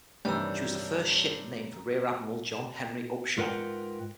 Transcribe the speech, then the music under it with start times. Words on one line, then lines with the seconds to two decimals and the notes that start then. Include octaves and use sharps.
She was the first ship named for Rear Admiral John Henry Upshur.
0.25 G2 C3 D#3 E3 G3 C#5 A#5 E6
3.38 G#2 F4 A#4 B4 F#5 G5